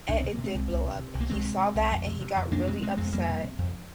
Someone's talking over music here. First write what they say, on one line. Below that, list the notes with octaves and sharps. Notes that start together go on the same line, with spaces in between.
and it did blow up. He saw that, and he got really upset.
C2 D4
C3 C4
A#3
C3
G#3 C4
C2
C2
C3
C3
C2
A#3
C2 G#3 C4
C3
C3
C2
F2
C3
C3
F2
F2 A#3 D4
C3 G#3 C4
C3 G#3 C4
F2 G#3 C4
F2 G3 A#3
C3
C3
F2